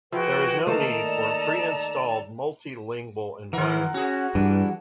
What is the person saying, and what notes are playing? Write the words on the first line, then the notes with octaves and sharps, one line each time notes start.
There is no need for a pre-installed multi-lingual environment.
F3 E4 F#4 G#4 B4 G5
D#3 A3 A#3 A4 D#5 A5 A#5
D5
D#3 E3 A#4 F#5
C#4 F#4 G#4
G2 E3 G3 D4